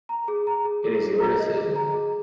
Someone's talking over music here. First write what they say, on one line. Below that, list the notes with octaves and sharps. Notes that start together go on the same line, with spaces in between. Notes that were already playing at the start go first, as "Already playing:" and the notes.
It is your decision.
A#5
G#4
A#5
G#4
G#4
G#4
A#5
D#5
G#4
A#5
G#4